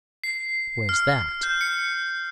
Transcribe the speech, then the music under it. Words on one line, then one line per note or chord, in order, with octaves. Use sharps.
"Where's that?"
C7
F6
G6
C#7